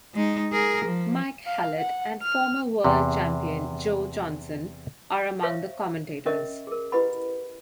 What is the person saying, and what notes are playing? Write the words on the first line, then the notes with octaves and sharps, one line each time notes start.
Mike Hallett and former world champion Joe Johnson are among the commentators.
G#3 D#4
G#4 A#4
F3
F5
F#5
F6
E2 C3
C5 C#5 E5 F5 C#6
C#4 A#4 C#5 D#5 E5 C#6
G#4 A#4
E4 G4 B4 D#5 F#5 B5